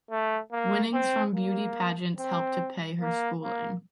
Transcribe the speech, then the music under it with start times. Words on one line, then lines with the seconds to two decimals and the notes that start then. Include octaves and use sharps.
Winnings from beauty pageants helped to pay her schooling.
0.11 A3
0.52 A#3
0.94 C4
1.35 A#3
2.18 C4
3.01 A#3
3.43 A#3